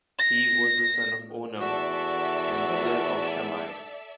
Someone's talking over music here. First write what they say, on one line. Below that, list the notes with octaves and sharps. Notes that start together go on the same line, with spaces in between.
He was the son of Onam and brother of Shammai.
A#6
E2 F#4 A4 D5 E5